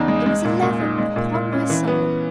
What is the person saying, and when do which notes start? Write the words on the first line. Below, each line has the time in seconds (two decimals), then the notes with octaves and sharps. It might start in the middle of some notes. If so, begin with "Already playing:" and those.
It was eleven, upon my soul!
Already playing: E2 C#3 D#4
0.08 G#3
0.26 G#3
0.45 A#2
0.62 A#2
0.80 D#4
0.98 G#3
1.16 A#2
1.34 A#2
1.52 C#4
1.70 E3
1.88 B3